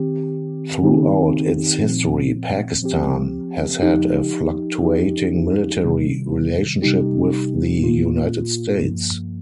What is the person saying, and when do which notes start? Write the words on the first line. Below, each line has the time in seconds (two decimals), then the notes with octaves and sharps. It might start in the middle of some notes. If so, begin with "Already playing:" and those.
Throughout its history, Pakistan has had a fluctuating military relationship with the United States.
Already playing: D#3 C4 G4
0.82 D#3 C4 D#4 G4
1.82 A#2 F3 C4
2.82 F3 C4 G4
3.82 F3 D#4 G4
4.82 F3 D#4 G4
5.82 C3 D#3 G3
6.82 C3 G3 D#4 G4
7.82 A#2 A#3 F4
8.82 G2 F3 A#3